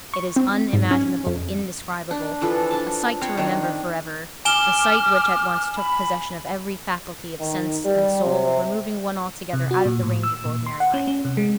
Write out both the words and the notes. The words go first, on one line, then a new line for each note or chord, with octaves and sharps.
It is unimaginable, indescribable; a sight to remember forever; a sight which at once took possession of every faculty of sense and soul, removing one altogether out of the range of ordinary life.
C#6
C4
G#2
C#4
F2
D4
E3 F3 A4 B4
D4 A4 A5
C4 C#5 B5
D#3 D4
G#5 D6 F6 E7 G7
B5
D#3
G3
C3
C3
F#4
A#2
A2
E6
A#2
C6
F#5
C#4
C#4
C3
G#3